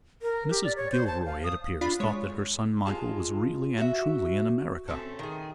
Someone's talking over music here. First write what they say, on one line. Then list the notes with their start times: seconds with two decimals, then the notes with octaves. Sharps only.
Mrs. Gilroy, it appears, thought that her son, Michael, was really and truly in America.
0.22 A#4
0.51 G4
0.64 D5
0.77 C#5
0.92 C5
1.07 A5
1.26 F5
1.44 D#6
1.81 D4 F4 B5
2.00 G#3 C#5
2.86 G#3 E4 F4 A5
3.78 F#4 E5
4.88 A3 C4 C#4 A4
5.19 D#3 G#4